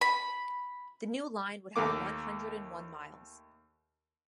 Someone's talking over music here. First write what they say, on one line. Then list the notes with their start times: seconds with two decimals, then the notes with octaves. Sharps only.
The new line would have one hundred and one miles.
0.01 B5
1.76 D#2 A3 A#3 D6